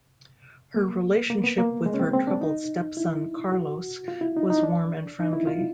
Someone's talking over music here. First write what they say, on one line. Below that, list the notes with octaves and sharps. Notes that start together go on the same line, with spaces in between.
Her relationship with her troubled stepson Carlos was warm and friendly.
A#3
A#3
B3
A#3
G#3
C#4
C4
C4
D4
D#4
E4
F#4
F4
E4
D#4
D#4
D4
D#4
E4
F4